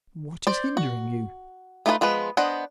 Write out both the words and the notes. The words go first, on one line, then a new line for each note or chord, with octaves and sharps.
"What is hindering you?"
C5 D5
F#4
A3 D#4 F4 G#4 B4
F3 G#3 B3 B4
B3 D4 C5 D#5 F#5